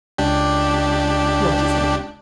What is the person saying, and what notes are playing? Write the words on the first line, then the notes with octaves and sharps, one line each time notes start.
"What is it?"
C#2 D4 G4